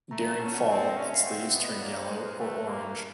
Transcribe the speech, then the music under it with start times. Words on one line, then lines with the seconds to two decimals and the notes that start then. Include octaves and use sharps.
During fall, its leaves turn yellow or orange.
0.11 A3 A#5
0.22 A#5
0.31 A5
0.41 C#4 G#5
0.54 F#5
0.69 C4
0.77 D5
0.90 D#5
0.97 C#4 E5
1.14 F5
1.25 C4 F#5
1.40 E5
1.55 B3
1.63 D#5
1.72 D5
1.82 A#3 C#5
1.97 C5
2.11 G#3 B4
2.26 A#4
2.39 A3 B4
2.68 A#3
2.96 A#4